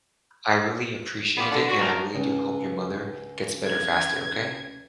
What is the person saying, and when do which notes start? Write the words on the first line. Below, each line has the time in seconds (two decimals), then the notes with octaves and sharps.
I really appreciate it, and I really do hope your mother gets better faster, okay?
1.38 E3 B3 D4 F4 G4 D5
1.52 D3
1.69 F#4
1.80 A#2 C#3 C4 D4 D#4 A#4
2.15 C#2
3.66 G#6